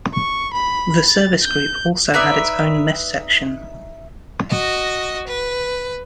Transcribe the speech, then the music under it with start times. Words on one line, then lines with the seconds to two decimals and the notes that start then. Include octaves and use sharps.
The service group also had its own mess section.
0.14 C#6
0.54 B5
1.10 A6
1.42 G6
2.14 D#4 B4 D5 E5
4.49 F#4 D#5
5.27 B4